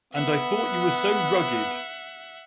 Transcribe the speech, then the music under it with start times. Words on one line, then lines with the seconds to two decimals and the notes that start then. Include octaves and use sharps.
And I thought you were so rugged!
0.13 B3 E5 F#5